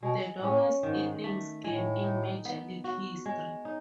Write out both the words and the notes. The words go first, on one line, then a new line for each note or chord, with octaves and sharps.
The longest Innings game in Major League history.
B2 G#3
A2 C#4
G#2 D#3
A3
A2 G#3
D#4
B3
F#4
G#3
D#4